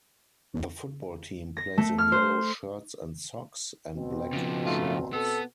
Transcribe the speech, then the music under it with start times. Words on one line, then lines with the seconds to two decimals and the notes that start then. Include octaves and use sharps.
The football team plays in yellow shirts and socks, and black shorts.
1.57 A#6
1.78 A3
1.98 F6
2.12 C5
3.94 B2 C4
4.33 C#3 F3
4.66 A3 D#4 F4
5.13 B3 A4